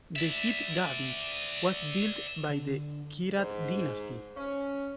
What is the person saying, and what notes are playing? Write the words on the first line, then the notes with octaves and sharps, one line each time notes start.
The Jit Gadhi was built by the Kirat dynasty.
D5 E5
D3
G#2
C#4